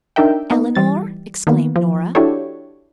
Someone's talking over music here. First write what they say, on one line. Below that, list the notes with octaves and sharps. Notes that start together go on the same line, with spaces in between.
"Eleanor?" exclaimed Nora.
D4 D#4 A#4 E5 G5
B3 D#4
E3 G3 A6
D#3 A#3 B3
F3
D4 E4 F#4 G4 A4 C#5